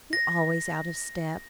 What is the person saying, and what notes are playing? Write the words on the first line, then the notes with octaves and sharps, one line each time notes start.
You're always out of step.'
A#6